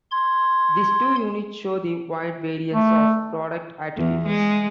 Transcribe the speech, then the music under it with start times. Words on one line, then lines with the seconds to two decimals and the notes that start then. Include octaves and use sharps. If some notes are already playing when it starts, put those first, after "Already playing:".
These two units show the wide variance of product attributes.
0.11 C6 G#6
2.74 A3
3.97 E2
4.26 G#3